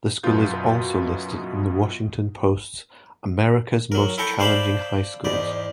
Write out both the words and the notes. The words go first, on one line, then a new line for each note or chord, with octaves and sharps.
The school is also listed in the Washington Post's "America's Most Challenging High Schools".
F#2 B2 B3 F4 G6
F#3 A#4
E4 A4 G5 A#5 C#6
C5 D5 F5 G5 A5 B5
E2 G#2 D5